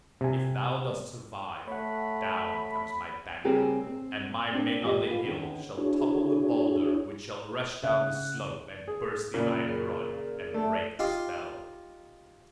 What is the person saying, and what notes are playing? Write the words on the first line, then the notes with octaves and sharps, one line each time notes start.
If thou dost survive, down comes my banner; and my men on the hill shall topple the boulder which shall rush down the slope and burst the iron rod and break the spell.
C3 G#5
A3 C#5 F#5 B5
C#3 G3 C4 G4 G#4 A#4
C4
C4 D4 C5
E2 G#2 F4 G4 D#5
F4 B4
D3 D#3 B3 C#4
D4 E4 F#4 G#4 C#5
C#3 E5 F#5
G#4
A#2 C#3 D5 B5
G#4 A#4
A3 D5 E5
D#4 F4 G4 F5